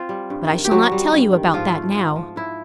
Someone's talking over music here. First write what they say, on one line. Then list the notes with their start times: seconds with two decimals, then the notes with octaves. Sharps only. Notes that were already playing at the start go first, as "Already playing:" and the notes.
But I shall not tell you about that now.
Already playing: C4 F4
0.09 G3
0.30 G2
0.50 D#3
0.65 G4
0.71 F#3 C4 F#4
0.92 G3
1.12 G2
1.33 D#3
1.54 G#2 F3 F4
1.74 A3
1.95 G#2
2.16 F3
2.36 G#2 E4